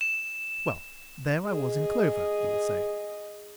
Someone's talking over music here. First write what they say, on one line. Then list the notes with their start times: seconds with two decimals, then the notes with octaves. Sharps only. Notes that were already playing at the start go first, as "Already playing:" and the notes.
Well, there I was in clover, you will say.
0.01 E7
1.46 G#4 D#5